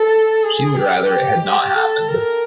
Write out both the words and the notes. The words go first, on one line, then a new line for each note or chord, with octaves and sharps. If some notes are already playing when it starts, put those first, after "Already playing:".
She would rather it had not happened.
Already playing: A4
G#4
G4
G4
A4
A#4